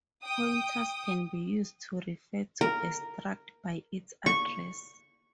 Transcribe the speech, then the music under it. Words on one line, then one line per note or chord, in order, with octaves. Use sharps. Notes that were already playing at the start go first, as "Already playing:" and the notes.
Pointers can be used to refer to a struct by its address.
G5 D#6
A#4
C#6